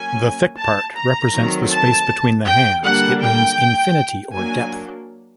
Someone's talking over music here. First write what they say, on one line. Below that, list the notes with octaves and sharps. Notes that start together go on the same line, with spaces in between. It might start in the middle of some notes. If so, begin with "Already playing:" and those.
The thick part represents the space between the hands, it means infinity or depth.
Already playing: F#3 A#3 C#4 G#5
A5
A#5
D#3 F#3 A3 C4
A5
G5
D3 G3 A#3 D4 F#5
G5
F#3 A#3 D4 G#5